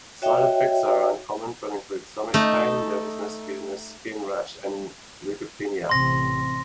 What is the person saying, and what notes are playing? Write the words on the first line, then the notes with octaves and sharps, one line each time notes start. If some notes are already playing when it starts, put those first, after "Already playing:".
Side effects are uncommon but include stomach pain, nervousness, giddiness, skin rash and leukopenia.
F#4 C#5 D#5 E5 G5
A3 D#4
A1 C3 C4 C6 A#6